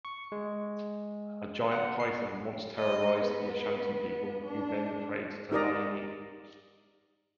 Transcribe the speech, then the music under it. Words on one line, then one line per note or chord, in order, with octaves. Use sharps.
A giant python once terrorised the Ashanti people, who then prayed to Nyame.
C#6
G#3
F#5
C7
D#5
B3
D4
D#4 G4 A#4 D5 D#5 A#5